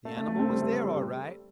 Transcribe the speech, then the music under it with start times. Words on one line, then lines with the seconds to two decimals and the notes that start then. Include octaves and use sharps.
The animal was there all right.
0.05 A3
0.17 A3
0.28 A3
0.39 C4
0.50 G3
0.62 A3
0.73 A3
0.84 G3